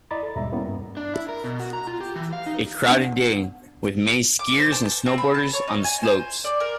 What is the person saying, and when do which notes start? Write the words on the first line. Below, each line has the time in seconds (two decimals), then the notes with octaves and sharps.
A crowded day with many skiers and snowboarders on the slopes.
0.11 E4 D5 D#5 A#5 B5 A6
0.23 A4
0.36 D#2 G#2 B2 G3 E5 A#5
0.52 G3 A#3 B3 C#4 E4
0.66 G2
0.97 D4
1.14 E4
1.29 A#4
1.44 B2
1.60 F#4
1.73 A#5
1.87 F4
2.01 G4
2.16 E3
2.33 F5
2.46 D#4
2.88 B3 D4
4.39 D6
4.58 C5
4.72 A5
5.06 C4
5.18 B5
5.34 A5
5.53 C#5
5.68 D#4
5.84 G#5
6.03 C5
6.44 D5
6.60 A#4